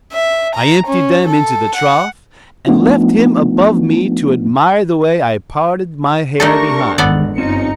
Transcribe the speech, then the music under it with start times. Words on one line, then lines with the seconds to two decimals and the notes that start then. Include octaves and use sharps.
I emptied them into the trough, and left him above me to admire the way I parted my hair behind.
0.13 E5
0.55 A#5
0.87 C#4
1.27 A4
1.75 F#5
2.67 F3 A3 B3 D4 D#4 F4
6.40 A3 D4 D#4 G4 A4 A#4 A5 C#6
6.98 G#1 E2 G#2 D#3 B3 A4 D5
7.38 G1 C4 C#4 D#4 F4 C#7